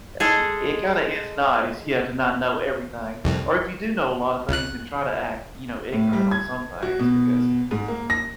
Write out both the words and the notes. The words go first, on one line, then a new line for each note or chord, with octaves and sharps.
Uh, it it kinda is nice, yeah, to not know everything, or if you do know a lotta things and try to act, you know, ignorant on some things because
G#3 G#4 A4
C2 F2
C#2 F#6
A2
G3
G#6
F#4
B2
G#2
A#3
A#6